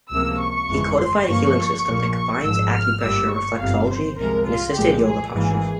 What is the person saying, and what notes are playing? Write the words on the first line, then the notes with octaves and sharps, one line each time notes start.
He codified a healing system that combines acupressure, reflexology, and assisted yoga postures.
C#2 C3 F3 A#3 E6
C#6
G1 F2 E3 G#3
C6
G1 G2 F3 A#3 C#6
A#1 A#2 F3 A#3
C#6
G#1 G#2 F3 E6
F6
G1 G2 G3 A#3 E6
C#6
G1 F2 C3 F5
C5
C2 C3 F3 G#3 A#4
F4
C2 A#2 F3 G#3 G4
G#4
G#1 G#2 E3 A#3 G#4